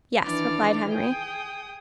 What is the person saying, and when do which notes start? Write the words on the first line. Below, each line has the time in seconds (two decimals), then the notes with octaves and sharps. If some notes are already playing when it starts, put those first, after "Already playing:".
"Yes," replied Henry.
0.22 D#3 E3 D4 D5 F6
0.89 G#4 G5 D#6